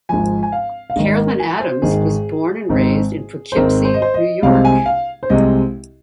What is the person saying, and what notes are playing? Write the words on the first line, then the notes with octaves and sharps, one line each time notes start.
Carolyn Adams was born and raised in Poughkeepsie, New York.
G#1 G#2 F3 G#5
G#5
F5
F5
G#1 G#2 D#3 D#5
A#4
G#5
C5
G#1 G#2 D#3 G#4
G#1 G#2 D#3 C4
C5
G#1 G#2 D#3 C4 A#4
C5
D#5
C5
D#5
C2 C3 G#3 C4 F5
G#5
F5
C5
C2 C3 G#3 C4 D#5